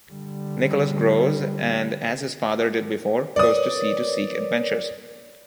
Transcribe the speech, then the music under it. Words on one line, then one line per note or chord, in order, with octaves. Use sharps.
Nicholas grows, and as his father did before, goes to sea to seek adventures.
D3 G3
A#4 B4 C#5 D5 D#6